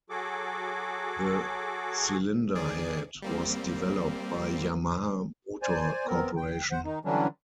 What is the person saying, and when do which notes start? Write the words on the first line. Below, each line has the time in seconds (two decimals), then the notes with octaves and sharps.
The cylinder head was developed by Yamaha Motor Corporation.
0.10 F#3 F#4 G#4 A4 D6
2.55 D#3 G#4 D5
3.22 G3 A#3 C4
5.62 C5 D5 G#5
6.07 B3 C4 A#4
6.36 G5
6.71 C5 F#5
6.85 D#3 D#4
7.05 D3 E3 F#3 G3 C#4 D4